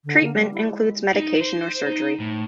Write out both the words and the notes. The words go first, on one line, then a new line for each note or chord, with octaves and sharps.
Treatment includes medication or surgery.
D3
A#3
G3
E4
G#3
D#4
C5
D#4
A2